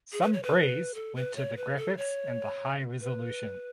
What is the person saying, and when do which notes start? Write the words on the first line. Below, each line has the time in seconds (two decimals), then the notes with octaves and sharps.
Some praise went to the graphics and the high resolution.
0.12 G#4
0.22 B4
0.33 C#5
0.43 B4
0.94 A4
1.16 B4
1.36 C#5
1.57 B4
1.77 A4
1.97 C#5
3.01 B4